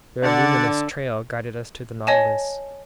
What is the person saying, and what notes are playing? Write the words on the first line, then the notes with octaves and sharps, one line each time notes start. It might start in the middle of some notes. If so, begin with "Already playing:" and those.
Their luminous trail guided us to the Nautilus.
D3 D5 F#5
C#5 D#5 G#5 A5